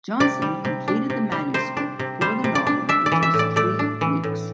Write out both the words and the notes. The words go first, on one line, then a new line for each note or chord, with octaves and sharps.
Johnson completed the manuscript for the novel in just three weeks.
C3 D5
G3
C3
D4
C3
G3
C3 C5
D4
C3
G3 C5
C3
D5
D4
D4 E5
D5
E3
E5
A2
D5
A3 D5
D4
E3
A2